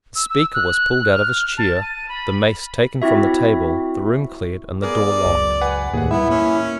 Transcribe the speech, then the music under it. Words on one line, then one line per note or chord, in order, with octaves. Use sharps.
The Speaker was pulled out of his chair, the mace taken from the table, the room cleared, and the door locked.
E6
E6
F#6
F6
A5
D#7
B5
C4 E4 F#4 E5
B3 G#4 A#4 D5
C#2 F#2
B4 F#5 G#5
D#2 A2 G#4 F#5
G3 B3 E4 E5
A#3 C#4